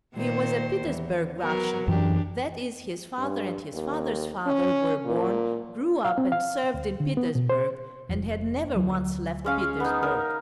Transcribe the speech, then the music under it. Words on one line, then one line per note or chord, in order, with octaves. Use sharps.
He was a Petersburg Russian; that is, his father and his father's father were born, grew up and served in Petersburg and had never once left Petersburg.
A#2 D#3 C5
E2
F#3 B3 A#4
F#2 E3 D4 G4
G2
D#2
C#4
A#2
F5
C4
F5
D2
D3
B3
B2
C5
F1 F2
D2 F#3
G#3 C#4 F5
B3 D#4
A#4